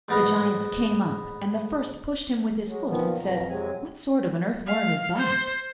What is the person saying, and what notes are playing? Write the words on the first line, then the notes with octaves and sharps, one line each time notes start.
The giants came up, and the first pushed him with his foot, and said, 'What sort of an earthworm is that?'
A1 G#2 B3 A#4
F#3 G#3
A#2 D#3 F3 B3
F2 B2 F3 A#5
F2 C3 F#3 G#3 C4 G#5
F5
C5